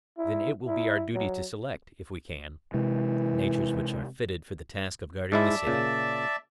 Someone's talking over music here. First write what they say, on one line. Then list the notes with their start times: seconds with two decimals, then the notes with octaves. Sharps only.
Then it will be our duty to select, if we can, natures which are fitted for the task of guarding the city?
0.18 E4
0.66 E4
1.14 F#3
2.74 C3 E3 G#3
5.32 G#2 G#3 E4 D5 E5 A5
5.67 A#2 C#3